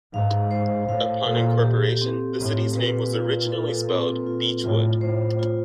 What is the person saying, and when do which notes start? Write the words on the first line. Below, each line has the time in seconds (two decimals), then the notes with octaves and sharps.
Upon incorporation, the City's name was originally spelled, "Beechwood".
0.14 G#2 F5
0.51 C5
0.89 A2 F5
1.26 A#2 A4
1.63 G4
2.02 C4
2.39 A2 C4
2.76 A#2 B4
3.14 F4
3.52 A4
3.89 C4
4.26 F4
4.63 A2 F4
5.01 A2 C5
5.39 F4